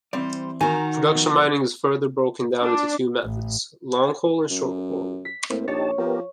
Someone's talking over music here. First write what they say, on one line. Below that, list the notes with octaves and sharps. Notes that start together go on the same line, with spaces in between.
Production mining is further broken down into two methods, long hole and short hole.
E3 G3 C4 C5 D5
D#3 D#4 F#4 A#4 G#5
B2 F3
D4
A1
F#2
B6
A2 A#3 C4
A#1 D#4 G4 C#5 A5
F3 B3 G4 A#4